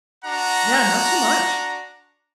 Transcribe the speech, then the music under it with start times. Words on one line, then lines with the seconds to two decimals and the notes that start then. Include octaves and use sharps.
yeah, not so much.
0.25 D4 F#4 F#5 A#5